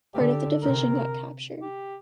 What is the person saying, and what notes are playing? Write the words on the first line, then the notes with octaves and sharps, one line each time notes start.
Part of the division got captured.
D3 G4
C3 A#4
G4